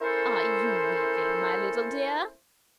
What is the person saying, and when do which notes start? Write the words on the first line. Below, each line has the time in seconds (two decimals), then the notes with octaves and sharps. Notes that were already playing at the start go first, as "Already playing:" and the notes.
'Are you weaving, my little dear?'
0.01 C#4 E4 A4 A#4 C5